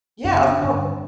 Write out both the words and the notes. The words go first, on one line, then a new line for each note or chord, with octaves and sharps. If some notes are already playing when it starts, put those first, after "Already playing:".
Yeah, of course.
F#2 C#3 B3 C#4
B3 C#4
C4 D4
G2 D3